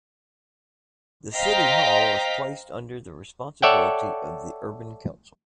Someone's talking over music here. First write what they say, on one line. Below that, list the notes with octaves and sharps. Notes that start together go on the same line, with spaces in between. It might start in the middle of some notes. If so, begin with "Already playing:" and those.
The City Hall was placed under the responsibility of the Urban Council.
C5 D#5 F5 G5 A#5 B6
A4 C#5 D5 E5 F#5 G5